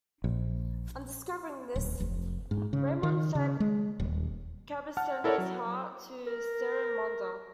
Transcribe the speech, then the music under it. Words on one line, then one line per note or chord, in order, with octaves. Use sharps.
On discovering this, Raimon fed Cabestany's heart to Seremonda.
A#1
D1
F1
G#2
C#3
D#3
C#3
G#3
D#1
F#5 A5 F6
E4 A4 A#4 C#5 D5 F#5
F#3
A#4